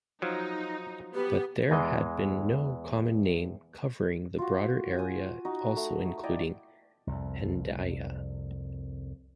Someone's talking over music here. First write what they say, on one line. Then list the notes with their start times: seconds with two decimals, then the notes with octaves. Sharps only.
But there had been no common name covering the broader area also including Hendaia.
0.22 F3 F#3 D#4
1.14 B3 G4
1.71 E2 E3 G#3 D#5
4.38 F4 F#4
4.98 G#5 D#6
5.45 D#4 F#4
5.76 A3
6.23 E4 D5 D#5 G5
7.07 C2 F2